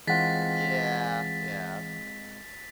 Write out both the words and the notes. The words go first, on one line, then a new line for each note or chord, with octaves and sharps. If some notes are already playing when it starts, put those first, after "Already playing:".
Yeah. Yeah.
E3 G#3 C4 F4 F#5 A6 B6